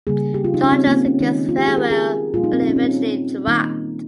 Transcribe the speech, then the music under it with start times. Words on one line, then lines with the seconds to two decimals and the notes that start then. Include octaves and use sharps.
Charges against Farrell were eventually dropped.
0.07 C#3 G3 A#3 G#4
0.34 G4
0.44 F4
0.54 D#4
0.64 C#4
0.72 C4
0.87 A#3
0.92 C4
1.06 C#4
1.20 D#3 G#3 D#4
1.49 F4
1.58 G4
1.68 G#4
1.78 A#4
1.91 G#4
2.34 A#2 G3 A#3 F4
2.44 D#4
2.53 C4
2.62 D#4
2.69 C#4
2.76 C4
2.84 C#4
3.47 D#3 G3 A#3 D#4